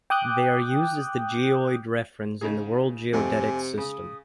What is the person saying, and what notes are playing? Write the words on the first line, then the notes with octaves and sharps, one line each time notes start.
They are used as the geoid reference in the World Geodetic System.
G5 D6 D#6 F#6 G6
C#3 D#4 G#4
F2 C3 A3 G#5
C#3 D#6